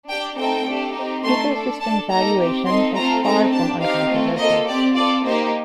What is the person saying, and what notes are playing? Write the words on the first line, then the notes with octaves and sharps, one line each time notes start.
Ecosystem valuation is far from uncontroversial.
D4 G4 G5
A3 C4 D#4 A4 G5
A3 D4 G4
C4 D#4 G4
A3 D#4 A4 C6
D4 A4
D4 A4 A5
A#3 D#4 A4 A#5
C4 G4
C4 D#4 A4 C6
A3 C4 F4 A4 A#5
A3 C4 D#4 A4 A#5
D4 G4 A5
C4 D#4 G4 F5
A3 C4 F4
A#3 F4 A4 D#5
C4 G4 D5
C4 F4 A4 D5
A#3 D#4 G4 C5